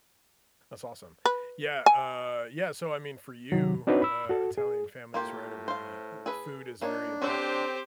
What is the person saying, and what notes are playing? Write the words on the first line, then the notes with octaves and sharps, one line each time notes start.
That's awesome. Yeah, uh, yeah so, I mean, for you, uh, Italian families, right? Are very food is very a part
B4
G#5
C3 D#3 F#3
C4 D4 D#4 F#4 B4 C#5
B5 E6
F#4 A4
G#4
A2 A#3 F4 G4
C5 F5
G#4 A4 B4
A#3 D4 D#4 C#5
C4 C#4 F#4 G4 A4 C5